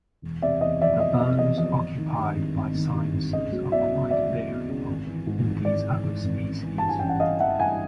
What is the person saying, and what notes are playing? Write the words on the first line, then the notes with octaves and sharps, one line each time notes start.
The bones occupied by sinuses are quite variable in these other species.
E1
C3 D5 E5
E2 D#5
F3 D5 E5
E1 D#5
C3 D#5
E2 D#5
F3 D#5
G#1
D#3
G2
G#1
G#1
D#3
G2
G#1
C#2 D#5
F#3
B2 D5 E5
C#2
C#2 D5 E5
F#3
B2
C#2
G#1
E3
G#2
G#1
G#1 D5
E3
G#2
G#1
A1
E3
G2 A5
G#5
A1 G5
F#5
A1 D#5 F5
E3 E5 F#5
G2 F#5 G#5